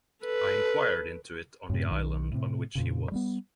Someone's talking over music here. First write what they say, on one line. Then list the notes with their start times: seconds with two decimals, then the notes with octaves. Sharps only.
I inquired into it on the island on which he was.
0.25 A4 B4
1.70 F#2 A2 C3
1.90 B1 D#3
2.32 A2 C3
2.75 F2 A#2 C#3
3.12 G3 A3 B3